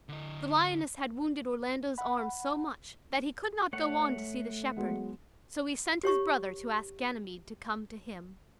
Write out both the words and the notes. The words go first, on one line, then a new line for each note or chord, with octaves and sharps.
The lioness had wounded Orlando's arm so much, that he could not go on to see the shepherd, so he sent his brother to ask Ganymede to come to him.
D3 D#5
F#5 B5
A3 C#5 F#5
F#3 G#3 B3
G4 C#5 C#6